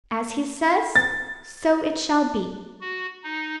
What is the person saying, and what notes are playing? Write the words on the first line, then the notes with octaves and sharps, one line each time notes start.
As he says, so it shall be.
A6
F#4
D#4